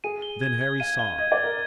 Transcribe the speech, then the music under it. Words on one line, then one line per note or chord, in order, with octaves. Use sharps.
Then Harry saw.
G#4 D#7
G7
G#6
G#6
F5 D#7
F5 G7
D#5 G#6
D5
G#6
A#4